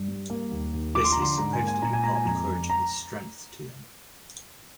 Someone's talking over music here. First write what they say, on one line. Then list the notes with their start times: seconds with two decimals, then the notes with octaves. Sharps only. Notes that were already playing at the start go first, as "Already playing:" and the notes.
This is supposed impart courage and strength to them.
Already playing: G2
0.08 G3
0.30 A#3
0.51 D#2
0.73 D#2
0.95 F3 D6
1.04 C6
1.12 A#5
1.17 D3 C6
1.38 G#2 A#5
1.53 G#5
1.60 A#3
1.68 G#5
1.82 A#2 A#5
1.93 G#5
2.04 G#3 A#5
2.15 G#5
2.25 F2 A#5
2.47 F2
2.70 A#5